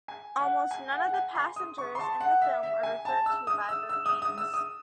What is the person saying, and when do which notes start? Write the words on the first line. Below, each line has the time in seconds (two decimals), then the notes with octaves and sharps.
Almost none of the passengers in the film are referred to by their names.
0.08 G#5
0.40 F#5
0.71 G#5
0.92 F#5
1.06 F#5
1.14 G#5
1.35 C6
1.56 D#6
1.78 C#6
1.95 C6
1.99 A5
2.20 F#5
2.41 E5
2.63 E5
2.83 G#5
3.05 A5
3.26 E6
3.47 D#6
3.69 E6
3.89 E6
4.06 D#6
4.22 D#6
4.38 E6
4.54 D#6